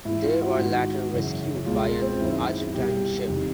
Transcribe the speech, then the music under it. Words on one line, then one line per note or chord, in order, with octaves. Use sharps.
They were later rescued by an Argentine ship.
G#2 E3 E4
F4
F#4
G#2 D#3
F#2 C#3 E3
C#2 B2 F4
C4
F#2 D#3 E4
C2 B2 G4
F2 C3 D#3